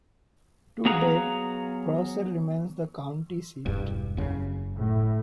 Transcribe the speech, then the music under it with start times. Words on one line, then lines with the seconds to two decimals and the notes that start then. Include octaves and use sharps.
To date, Prosser remains the county seat.
0.85 F#3 B3 G#4 F5 F#5 A#5
3.66 E1 E2 G2
4.17 F#1 C#3
4.76 A2